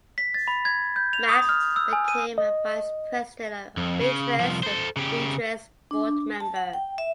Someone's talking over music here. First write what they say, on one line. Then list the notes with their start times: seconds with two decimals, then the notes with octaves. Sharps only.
Mack became a vice president of Beatrice and a Beatrice board member.
0.18 B6
0.34 A6
0.48 B5
0.65 G#6
0.96 G6
1.13 F7
1.29 D#6
1.49 F6
1.76 E6
1.93 G#5
2.08 D#7
2.38 D#5
3.77 F2
4.00 C#3
4.40 C2 F3
4.63 A4 C5
4.97 C#3 G4
5.91 D4
6.40 A5
6.56 F#5
6.73 G5
6.98 E5